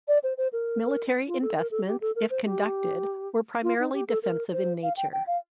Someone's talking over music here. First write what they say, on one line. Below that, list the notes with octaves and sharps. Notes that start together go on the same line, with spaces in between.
Military investments, if conducted, were primarily defensive in nature.
D5
C5
C5
A#4
F4
A4
A#4
A4
G4
A4
A#4
C5
G4
F4
D#4
G4
A4
A#4
C5
F5
G5
G5
F5